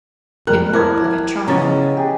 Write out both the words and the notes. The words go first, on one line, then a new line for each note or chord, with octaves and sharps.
It worked like a charm.
F2 G3 A#4 F#6
E4 A#4 A5 D6 G#6
C#3 B3 B4 D#5 A#5 A6
G4 G#4